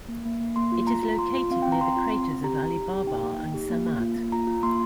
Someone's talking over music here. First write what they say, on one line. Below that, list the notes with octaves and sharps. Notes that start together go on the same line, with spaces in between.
It is located near the craters Ali Baba and Samad.
A#3
A#3
A#3
A#3 C6
F4
F4 A#5
F4
F4 C6
F4
C4 F5
C4 G5
A#5
C4 C6
F4
C4
C4
G4 A#5
G4
D#4
G4
D#4 G5
A#3
D#4
G4
A#3
A#3
F4
A#3
F4 A#5
F4
A#3 C6